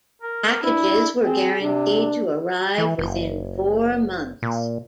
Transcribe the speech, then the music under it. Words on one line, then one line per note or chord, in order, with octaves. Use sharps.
Packages were guaranteed to arrive within four months.
A#4
D4 E4
C4 G#4
C3 D4
E3
F#1
A#2